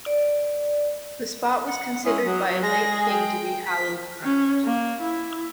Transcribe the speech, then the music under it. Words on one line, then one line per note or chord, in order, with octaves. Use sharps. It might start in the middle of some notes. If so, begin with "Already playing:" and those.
The spot was considered by a late king to be hallowed ground.
D5
F#5
G#3 C#4 E4 D#6
F#3
G#3 G#4 A#6
G5
B6
C#4
A#3
E4